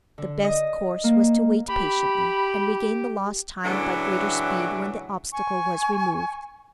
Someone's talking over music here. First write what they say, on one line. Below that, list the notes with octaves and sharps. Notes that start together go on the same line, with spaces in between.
The best course was to wait patiently, and regain the lost time by greater speed when the obstacle was removed.
D3
D#5
A#3
G4 B5
A2 C#3 E3 F#3 A3 D4
G#5 C#6